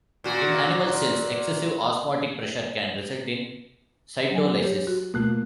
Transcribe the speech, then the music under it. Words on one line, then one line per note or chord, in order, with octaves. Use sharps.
In animal cells excessive osmotic pressure can result in cytolysis.
A#2 F#4
F#3 G#5
G4 C#5
F#4
B2 A3 A#3 F4 F#6